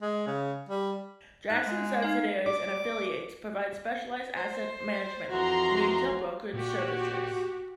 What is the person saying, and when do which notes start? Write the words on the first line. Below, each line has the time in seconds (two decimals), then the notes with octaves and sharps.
Jackson subsidiaries and affiliates provide specialized asset management and retail brokerage services.
0.02 G#3
0.27 C#3
0.69 G3
1.50 G#2 F#6
1.65 G#3
2.02 D#4 F5
2.46 D5 D6
4.37 C5
5.30 F2 E3 F#4 A#5 C6
6.53 A#2 F#4 G4